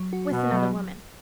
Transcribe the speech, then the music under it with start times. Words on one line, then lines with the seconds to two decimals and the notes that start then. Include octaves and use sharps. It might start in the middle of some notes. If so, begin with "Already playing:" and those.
"With another woman."
Already playing: F#3
0.13 F#4
0.32 B2 B3
0.52 F#3